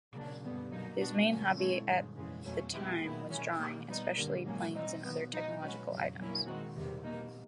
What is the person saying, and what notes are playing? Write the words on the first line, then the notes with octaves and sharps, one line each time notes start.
His main hobby at the time was drawing, especially planes and other technological items.
C#3 F#3 A#3 D4
F#2 D3 G3 B3
B2 F#3 A#3 D#4
G3 B3 D4 F#4
G2 D3 F#3 A#3 C#4
G#3 C4 E4 A4 C#5
G2 D#3 G#3
F2 C#3 E3 G#3
E2 B2 F#3 A3 C#4
D#3 G#3 B3 E4 G4
A#2 F#3 B3 E4
D#3 G#3 C#4 E4
D#3 G3 A#3
G3 B3 D#4
G2 D3 G3 A#3
G#2 D#3 F#3 A#3 C#4
G3 C4 D#4
D#3 F#3 B3
F#3 B3 D#4
G#3 C#4 F#4 B4
F2 C#3 F#3
D3 F#3 A#3 C#4 E4
D#3 G#3 C4 D#4 F#4
E2 C3 D#3 G3
B2 G3 A#3 D#4